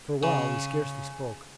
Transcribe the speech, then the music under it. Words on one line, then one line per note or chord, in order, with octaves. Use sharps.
For a while we scarcely spoke.
C#3